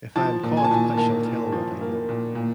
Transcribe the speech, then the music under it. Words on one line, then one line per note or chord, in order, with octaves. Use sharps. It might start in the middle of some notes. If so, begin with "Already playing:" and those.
If I am caught I shall tell what I know.
F3 A5
A#2
G#5
A5
A#2 G#5
A#3 A5
A#3
F3
A#3
A#2
A#2